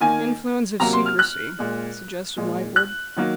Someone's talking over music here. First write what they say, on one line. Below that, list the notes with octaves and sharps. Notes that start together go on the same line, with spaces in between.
'Influence of secrecy,' suggested Lightwood.
D#3 A#3 G#5
C3 F#3 A#3 A#5
C6
F6
F#6
A#2 G#3
A#2 G#3
F#6
D#3 F#3 A#3